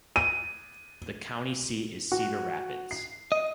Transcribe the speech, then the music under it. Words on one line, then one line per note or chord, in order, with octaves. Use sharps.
The county seat is Cedar Rapids.
D#7
F#4
C7
D#5